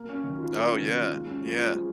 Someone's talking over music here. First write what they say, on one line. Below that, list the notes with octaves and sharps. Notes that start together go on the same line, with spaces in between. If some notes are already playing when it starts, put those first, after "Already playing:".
Oh, yeah, yeah.
Already playing: A#3
C#4
D#3
F4
A#3
C#4
D#3
F4
G#3
C#4
F3
F3
G#3